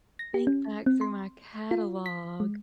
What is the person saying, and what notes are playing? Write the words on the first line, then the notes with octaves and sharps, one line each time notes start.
think back through my catalog.
A#6
G4
C#4
C4
C6
F4
B6
G#3